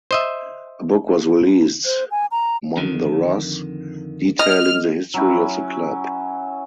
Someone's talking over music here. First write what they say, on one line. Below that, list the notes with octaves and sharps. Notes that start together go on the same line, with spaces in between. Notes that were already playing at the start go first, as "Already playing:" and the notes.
A book was released "Mon the Ross" detailing the history of the club.
C5 D#5 E5
C5
G#5
A#5
F2 D3 D#3
D#5 F6
F#3 C#4 E4